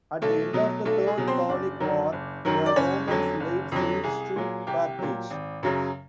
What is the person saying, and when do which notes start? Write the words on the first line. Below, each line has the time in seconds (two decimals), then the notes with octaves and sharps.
At the end of the Third Punic War, the Romans laid siege to Carthage.
0.22 B1 A3 A4
0.53 B2 F#3
0.85 B1 A3 A4
1.07 G#4
1.17 B2 F#3
1.27 C4 C5
1.49 F#1 D4 D5
1.80 F#2 D#3 F#3
2.12 F#1
2.45 F#2 D#3 F#3
2.66 D5
2.76 F#1 C#4 C#5
3.08 F2 D3 F#3
3.40 F#1
3.72 F2 D3 F#3
4.03 C2 G#4
4.36 A#2 F#3
4.67 C2 G4
4.99 A#2 F#3
5.30 G#1
5.63 F#2 C#3 F#3